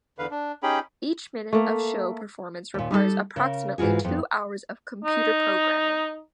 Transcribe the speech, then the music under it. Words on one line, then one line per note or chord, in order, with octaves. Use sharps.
Each minute of show performance requires approximately two hours of computer programming.
E2 D3 B4 F5
D4
C#4 D#4 G4 G#4 G5 B5
A3 A#3
D#2 A#2
G3 D#4 E4 A4
C#3 A#4
G#2 E3 F4 F#4 G#4
F2 B3
D#4